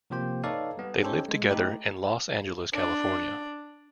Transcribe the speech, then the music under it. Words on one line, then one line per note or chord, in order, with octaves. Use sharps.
They live together in Los Angeles, California.
C3 F3 A#3 G4 C5 G5
D#4 A4 B4 C#5 D5 F5
G3 B3
C#4 D#4 G4 A4 C5 C#5
G#3
A3 D#4 E4 G4 A4
D4